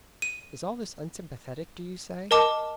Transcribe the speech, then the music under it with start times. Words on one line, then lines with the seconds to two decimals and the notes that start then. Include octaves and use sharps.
Is all this unsympathetic, do you say?
0.22 D#7
2.31 A#4 D#5 A5 D6